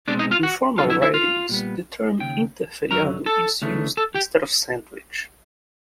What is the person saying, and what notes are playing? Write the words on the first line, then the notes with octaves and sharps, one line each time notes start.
In formal writings, the term "interferiado" is used instead of "sandwich".
B2 G#3 C4 D4 D5
D#4 D#5
F4 F5
F#4 F#5
F2 D3 F#3 F4 F5
E4 E5
E4 E5
F4 F5
A#2 G3 B3
D#2 C#3 G5
F#2 D3 F#3 A#4 A#5
A4 A5
D2 C#3 E3 A3
A4 A5
G4 G5